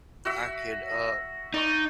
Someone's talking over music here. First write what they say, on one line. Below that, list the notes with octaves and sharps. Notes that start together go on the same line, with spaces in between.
I could, uh,
F#4 E5
D#4 D5 C#6